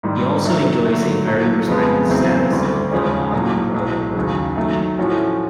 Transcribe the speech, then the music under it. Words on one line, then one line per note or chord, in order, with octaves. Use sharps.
He also enjoys a very respected status in the Bahawalpur region.
G#2 D#3 G3
D#3 F#3 A3
D3 F#3 A3
A#1 A2 F#3 A#3
F2 C#3 F3 G#3 B3
E2 C#3 F#3 A3 C4
D2 D3 G3
D#2 C#3 F3 G#3 C#4
A#1 A2 F#3 A#3
B1 A2 F#3
D#2 C#3 F#3
D#3 F#3 A3
A2 F3 A3 C#4 F#4